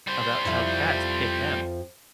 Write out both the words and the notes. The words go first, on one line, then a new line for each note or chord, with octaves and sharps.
about how cats pick them.
G3 C5
F2 F3 E4